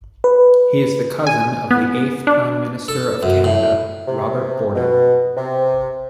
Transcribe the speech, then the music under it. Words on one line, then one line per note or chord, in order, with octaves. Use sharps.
He is the cousin of the eighth Prime Minister of Canada, Robert Borden.
B4
G#5
B3
D4
A4
F#2
A2
C3
B2
C3